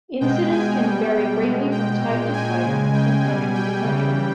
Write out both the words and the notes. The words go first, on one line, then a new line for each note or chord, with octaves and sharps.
Incidence can vary greatly from type-to-type, and from country-to-country.
B2 G#3 G5
G#5
B2 G3 G5
B2 G#3
G5
A#2 G#3
G#5
C#3 G#3
G5
B2 G3 G#5
G5
C#3 E3 G3